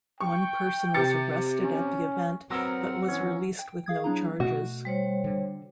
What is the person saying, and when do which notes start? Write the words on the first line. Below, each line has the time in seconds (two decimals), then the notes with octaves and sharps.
One person was arrested at the event but was released with no charges.
0.20 G5 C#6
0.94 C3 A6 C#7
1.63 C#4
2.50 F#3 B3 C4 A#4 F#5 A#5 E6
3.08 E3 C#4
3.59 G5
3.86 G#4 F5 D#6 G#6
4.04 F#3 B3 D4 E4 A#5
4.40 B2 A3 F#4
4.85 G3 C5 C#5
5.24 D3